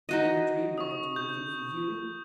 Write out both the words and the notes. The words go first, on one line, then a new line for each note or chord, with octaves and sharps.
I never dreamed I could do anything for YOU!
D#4 F#4 D#5
C#6 D#6
G6